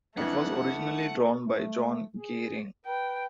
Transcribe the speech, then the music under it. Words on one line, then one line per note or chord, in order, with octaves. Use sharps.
It was originally drawn by John Geering.
F2 E3 A3 D4 E4 F#5
A3
G#4
B4 G5